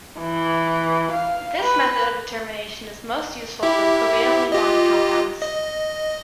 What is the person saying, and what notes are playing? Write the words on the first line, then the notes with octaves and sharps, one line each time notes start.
This method of determination is most useful for covalently bonded compounds.
E3
F5
B4
E4 G4 E5
F4 G4 D#5
D#5